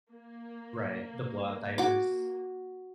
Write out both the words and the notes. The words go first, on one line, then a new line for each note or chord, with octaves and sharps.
Right, the blowout diapers.
A#3
F#4 D6